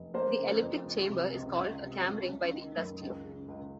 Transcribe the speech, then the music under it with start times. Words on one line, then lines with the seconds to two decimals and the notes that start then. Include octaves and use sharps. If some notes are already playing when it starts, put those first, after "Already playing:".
The elliptic chamber is called a 'cam ring' by the industry.
Already playing: F1
0.14 A#3 C5
0.38 C#3
0.62 F2
0.86 C#2
1.09 C3
1.34 C#2
1.57 C#2
1.82 C3
2.06 C#2
2.29 C#4
2.53 D#3
2.77 F#2
3.01 C#2
3.25 C#3
3.48 C#2